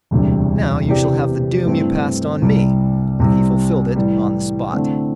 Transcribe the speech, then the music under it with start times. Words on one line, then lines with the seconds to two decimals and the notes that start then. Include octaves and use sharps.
'Now you shall have the doom you passed on me', and he fulfilled it on the spot.
0.11 E1 D2 C3 G3
0.88 C3 E3 C4 G4 D5
1.65 G2 E3 A3 C4 E4
2.42 C2 C3 G3
3.19 C2 C3 G3
3.96 A2 E3 G3
4.73 D3 A3 C4 E4